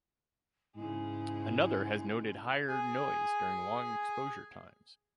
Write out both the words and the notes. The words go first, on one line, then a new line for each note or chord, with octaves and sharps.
Another has noted higher noise during long exposure times.
G#2 C#3 G#3 E4
G#4 G#5